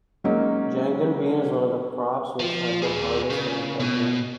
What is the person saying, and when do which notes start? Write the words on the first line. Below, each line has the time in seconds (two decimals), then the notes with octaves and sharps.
Jangdan bean is one of these crops which have been harvested in Paju.
0.24 F#3 G#3 A#3 C#4 D#4
2.40 F3
2.82 G#4 B4
3.30 C#3
3.80 B2